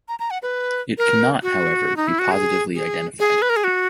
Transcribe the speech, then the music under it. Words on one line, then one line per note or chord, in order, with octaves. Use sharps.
It can not, however, be positively identified.
A#5
A#5
F#5
B4
A#4
F#4
D#4
E4
F#4
G#4
G#4
G#4
B4
A#4
G#4
F#4